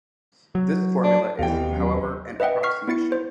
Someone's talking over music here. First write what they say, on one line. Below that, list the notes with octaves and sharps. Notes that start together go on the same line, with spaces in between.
This formula is however an approximation.
F#3
D4
D#2 B2 E3 B3 C4 G4 F5 G5
F#3 C#4
B4 D#5 E5 F#5 G5
C#6 F6 B6 C7
B3 E4 A6 C#7
C5